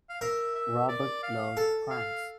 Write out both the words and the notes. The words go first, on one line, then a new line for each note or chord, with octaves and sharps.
Robert loved pranks.
F5
A#4 E5
E5
D5
F5
A4
F5